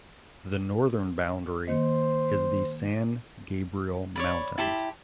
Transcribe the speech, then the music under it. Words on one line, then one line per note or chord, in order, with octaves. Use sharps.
The northern boundary is the San Gabriel Mountains.
D#3 A#3 C5 D#5
C#5 D5 B5
E4 G4 A5 C6